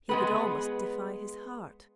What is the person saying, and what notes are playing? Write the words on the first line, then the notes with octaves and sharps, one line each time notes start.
He could almost defy his heart.
G#3 B3 B4